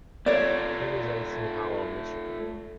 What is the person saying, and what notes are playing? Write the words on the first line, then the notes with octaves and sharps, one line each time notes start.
He resides in Howell, Michigan.
A3 F4 C#5 D5